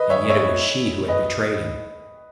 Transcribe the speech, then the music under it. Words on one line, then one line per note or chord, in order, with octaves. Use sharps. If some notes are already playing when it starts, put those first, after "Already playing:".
And yet it was she who had betrayed him.
Already playing: B4 D#5
C#5 E5
C#5 E5
B4 D#5